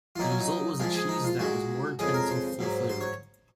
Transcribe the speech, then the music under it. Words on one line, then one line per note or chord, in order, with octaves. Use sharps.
The result was a cheese that was more intense and full-flavoured.
F4
A#2 F#3 A#3 D#4
C#4
D#4
A#2 F3 G#3 F4
G#4
D#4
F4
A#2 G#3 F#4
F2 C#3 G#3 G#4
A#4
C5
G#2 F#3 A#3
C5
C#5